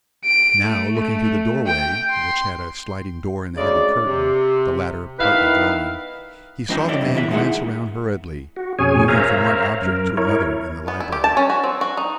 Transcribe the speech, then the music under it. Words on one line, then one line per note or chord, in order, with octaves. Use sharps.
Now, looking through the doorway, which had a sliding door and a heavy curtain, the latter partly drawn, he saw the man glance around hurriedly, moving from one object to another in the library.
D7
A3
A3
G5
C6
D2 C#3 G#3 D5
C3
D#3 B3 E4 B4 F5
F2 F3 D4 D#5 E5 G5
C#5 D5 E5
B1 F2 B2
D#2 E4 F#4 E5
G#3 D#4 E4 G#4 F#5
F#4
F2 B2 C#4 G#4 C#5 G#5
A#4 C5 C#5 E5 F5 A#5
F#2 A#4
E4 A#4 C#5
B3
E4
G4
A5
C#4
F#4
C4
F#4
D#4